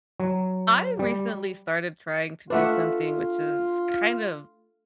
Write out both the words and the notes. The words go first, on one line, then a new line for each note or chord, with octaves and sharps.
I recently started trying to do something which is kind of
F#3
G3
A3 D4 F4 B4 E5 F#5